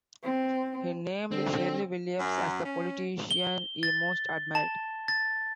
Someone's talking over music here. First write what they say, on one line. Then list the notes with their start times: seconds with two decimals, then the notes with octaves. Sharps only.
He named Shirley Williams as the politician he most admired.
0.24 C4
1.31 D3 C4
2.19 F#2
2.64 C#4
3.31 G7
3.83 A6
4.55 A5
5.08 A6